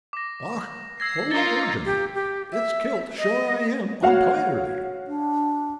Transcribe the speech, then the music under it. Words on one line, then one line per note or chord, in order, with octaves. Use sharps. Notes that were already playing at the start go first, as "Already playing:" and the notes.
"Och! holy Vargin! it's kilt sure I am ontirely!"
D6 A#6
E6 G#6 A#6 C7
D#4 F4 A#4 A6 C#7 G7
G4
G4
E5
D#5
F#4 C#5 F5 F#5
D4